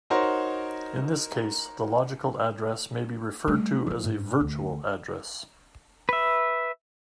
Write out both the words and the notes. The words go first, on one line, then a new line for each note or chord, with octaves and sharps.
In this case, the logical address may be referred to as a virtual address.
D#4 F#4 A#4 C5 C#5
G3 A3
F3 F4
G#2
D2
B4 E5